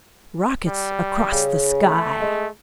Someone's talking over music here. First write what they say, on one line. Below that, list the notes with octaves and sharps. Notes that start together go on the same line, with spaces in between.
Rockets across the sky!
G3
C#3
A3
G#3